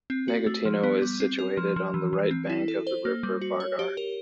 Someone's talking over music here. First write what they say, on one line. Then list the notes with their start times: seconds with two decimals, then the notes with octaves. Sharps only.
Negotino is situated on the right bank of the river Vardar.
0.10 C4
0.28 F#4
0.46 A3
0.65 F3
0.83 B3
1.02 G3
1.20 C4
1.39 A#4
1.57 F3
1.76 F3
1.94 E3
2.13 E3
2.31 C4
2.50 E4
2.68 A4
2.87 C5
3.05 A#3
3.23 G3
3.41 F#4
3.60 C#5
3.79 G4
3.97 A#4